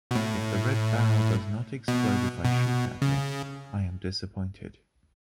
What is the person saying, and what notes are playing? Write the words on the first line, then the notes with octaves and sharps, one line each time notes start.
If the red barrel does not explode, if I shoot at it, I am disappointed.
B2
A2
B2
B2
C#3